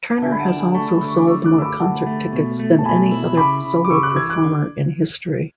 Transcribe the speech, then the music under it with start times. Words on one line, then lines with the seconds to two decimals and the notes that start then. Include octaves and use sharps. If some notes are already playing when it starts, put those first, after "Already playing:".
Turner has also sold more concert tickets than any other solo performer in history.
0.18 A5
0.22 D3 E5 G#5
0.32 B5
0.39 F#5 A5
0.49 D4
0.57 G#5 B5
0.74 A3 A5 C#6
0.98 D3 B5
1.08 C#6
1.18 D6
1.27 A3 C#6 E6
1.44 D6 F#6
1.54 D2 E6
1.62 B5 D6
1.80 D2 F#5 A5
2.06 A3
2.33 B2
2.59 A3
2.78 A5
2.85 B2 G#5 B5
3.11 E4
3.37 C#3 B5 D6
3.64 C#3
3.85 D6
3.90 C#3 C#6 E6
4.03 D6 F#6
4.16 E3 E6 G#6
4.29 D6 F#6
4.43 D3